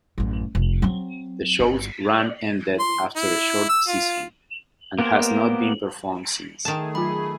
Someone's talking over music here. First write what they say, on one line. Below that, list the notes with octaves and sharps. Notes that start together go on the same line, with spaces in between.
The show's run ended after a short season, and has not been performed since.
A1 F#2
F1
F#3 C4
G1
C6
E4
E6
F4
A#3 B3 G4 A#4 C5
D#3 A3 G#4 A5
F#3 F4 B5